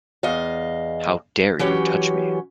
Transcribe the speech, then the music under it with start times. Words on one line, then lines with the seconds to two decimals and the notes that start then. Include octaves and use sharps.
How dare you touch me?
0.23 E2 D#5 F5
1.59 E3 F#3 C#4 G4